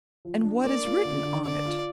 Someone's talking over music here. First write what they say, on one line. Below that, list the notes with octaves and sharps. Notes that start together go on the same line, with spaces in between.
"And what is written on it?"
F3
D4
A#3 D5
F4
D3
D3
D3 D5
F4